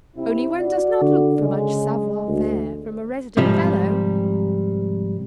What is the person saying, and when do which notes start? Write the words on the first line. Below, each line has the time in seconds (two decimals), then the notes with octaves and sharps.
Only one does not look for much savoir-faire from a resident Fellow.
0.15 C3 E4
0.58 F#4 D5
1.01 D3
1.39 C#3 G#3
2.27 D2
3.37 G#2 C3 F3 G3